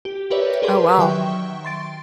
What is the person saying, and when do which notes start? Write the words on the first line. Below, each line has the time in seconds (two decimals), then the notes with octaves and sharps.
Oh wow.
0.05 G4
0.30 G4 A#4 B4 C#5 D5 E5
0.62 G4 G#4 A#4 B4 D5 C6
0.98 D#3 F#3 E5 G5 C#6
1.65 C6 A6 D7